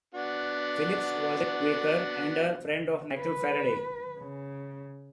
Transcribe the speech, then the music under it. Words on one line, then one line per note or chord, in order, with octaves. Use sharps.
Phillips was a Quaker and a friend of Michael Faraday.
B3 D4 F#4
B4
C#3